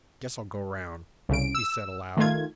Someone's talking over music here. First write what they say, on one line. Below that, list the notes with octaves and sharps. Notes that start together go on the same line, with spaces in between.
Guess I'll go round,' he said aloud.
C2 C#3 D7
E6
D#3 A3 F4 G#6